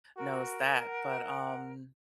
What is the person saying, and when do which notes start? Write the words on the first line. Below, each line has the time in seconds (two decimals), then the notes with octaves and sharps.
knows that, but, um
0.17 F#4 A#4
0.87 F#5